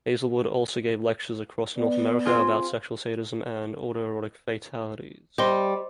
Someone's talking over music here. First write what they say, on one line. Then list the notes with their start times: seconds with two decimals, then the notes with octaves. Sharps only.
Hazelwood also gave lectures across North America about sexual sadism and autoerotic fatalities.
1.77 B3 D5
2.25 C4 F4 G#4
5.38 G3 C5 D#5 C6